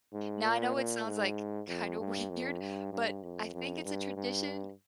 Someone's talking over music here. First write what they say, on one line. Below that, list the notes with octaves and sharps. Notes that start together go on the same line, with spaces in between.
Now I know it sounds, like, kinda weird, but I think it's a tradition
G#2
A#2
A#2
G#2
F2
G2
F2
G2
G2
F2
F2
G2
G2